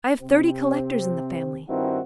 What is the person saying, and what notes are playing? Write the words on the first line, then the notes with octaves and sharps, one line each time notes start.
I have thirty collectors in the family.
C3 C4
G2 D#3 C4 D#4 E4 F#4